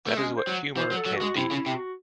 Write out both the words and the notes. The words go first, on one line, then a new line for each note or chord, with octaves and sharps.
That is what humor can d.
A3
G#3 C#4
C5
F#3
E3 C5
F#3
A4
F#3
G#3 F#4
C3 E4
C#3
E4
C3
F#4